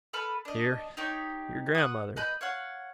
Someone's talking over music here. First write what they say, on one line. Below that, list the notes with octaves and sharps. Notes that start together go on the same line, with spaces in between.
"Dear," your grandmother.
A4 B4 B5 F6
D4 D#5
D#4 G4 C#5
F#5 D#6
B4 D#5 B5 G6
C#5 F5 F#5